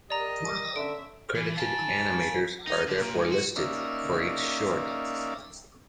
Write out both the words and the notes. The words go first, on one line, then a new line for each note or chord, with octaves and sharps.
Credited animators are therefore listed for each short.
G4 A#4 D5 D#5 A#5
D3 C#4 E5 D7
E3
F5 G#5 A5
D#4
D3
A#2
G#2
F#4
A#3 C#4 D#4 D5 E5 F5